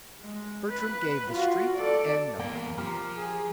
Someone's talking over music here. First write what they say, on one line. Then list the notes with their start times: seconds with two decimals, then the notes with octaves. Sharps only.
Bertram gave the street and number.
0.20 G#3
0.69 B4
1.29 F4 F#4
1.76 A4 D5
2.39 E2 A#3 G5
2.78 F3 G4 A#4
3.17 G#4